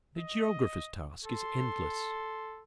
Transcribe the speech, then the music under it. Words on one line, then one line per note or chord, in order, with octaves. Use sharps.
The Geographer's task is endless.
D#5
A4 C6